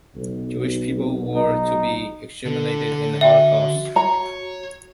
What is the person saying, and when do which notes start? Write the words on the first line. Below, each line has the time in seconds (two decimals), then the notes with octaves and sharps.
Jewish people were to be exterminated in the Holocaust.
0.15 B1
1.36 D#4
2.46 D3 A4
3.21 F#4 E5 G5
3.96 C#5 A#5